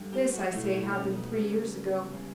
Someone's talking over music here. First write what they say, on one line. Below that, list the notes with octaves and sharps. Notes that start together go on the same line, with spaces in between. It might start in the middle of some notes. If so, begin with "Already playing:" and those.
This, I say, happened three years ago.
Already playing: D3 G3
G4
F#4
B2 A3 E4
E4
C#4
B3
C#3 G3
C#3 G3